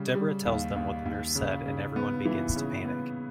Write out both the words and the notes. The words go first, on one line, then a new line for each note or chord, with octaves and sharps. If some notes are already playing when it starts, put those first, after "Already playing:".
Debra tells them what the nurse said and everyone begins to panic.
Already playing: C#3 G3
G3
D#2
D#2
D#2
C#3
C#3
B3
E3
C#3
B3